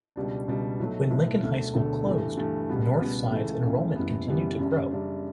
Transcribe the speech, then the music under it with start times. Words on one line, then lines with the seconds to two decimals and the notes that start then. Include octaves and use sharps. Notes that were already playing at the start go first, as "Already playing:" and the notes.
When Lincoln High School closed, Northside's enrollment continued to grow.
0.16 C#2 B2 G3 D4
0.48 C#2 B2 G3 D4
0.80 B1 A2 F#3 A3
1.10 B1 A2 F#3 A3
1.42 E1 D2 D3 A3
1.74 E1 D2 D3 A3
2.06 G2 E3 A3
2.37 G2 E3 A3
2.69 C#2 B2 G3 B3
3.00 C#2 B2 G3 B3
3.32 C#2 C#3 E3 A3
3.64 C#2 C#3 E3 A3
3.95 F#1 F#2 E3 G3 B3
4.27 F#1 F#2 E3 G3 B3
4.59 F#2 C#3 G3 D4
4.91 F#2 C#3 G3 D4